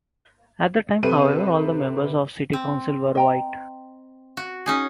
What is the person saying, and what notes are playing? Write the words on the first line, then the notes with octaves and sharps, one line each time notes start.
At the time, however, all members of the city council were white.
C3 C4 A4 B4 D#7
C4
D#5 G5 A#5
F#4
C#4 D#4 G#4